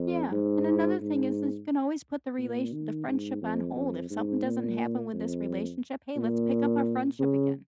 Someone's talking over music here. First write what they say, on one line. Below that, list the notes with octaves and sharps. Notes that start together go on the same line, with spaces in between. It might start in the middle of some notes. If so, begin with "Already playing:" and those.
Yeah. And another thing is, is you can always put the relation the friendship on hold. If something doesn't happen with this relationship, "Hey, let's pick up our friendship again."
Already playing: F2
G#2
G#2
A#2
D#3
G#2
F2
F2
G#2
A#2
F2
A#2
C#3